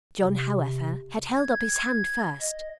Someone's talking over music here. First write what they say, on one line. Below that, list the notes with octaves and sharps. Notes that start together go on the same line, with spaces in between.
John, however, had held up his hand first.
C3
G#6
D#5